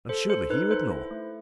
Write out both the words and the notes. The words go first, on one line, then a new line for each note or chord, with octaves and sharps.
"And surely he would know!"
A4 C5
A4 C5
D#4 B4
A4 C5
E4
A3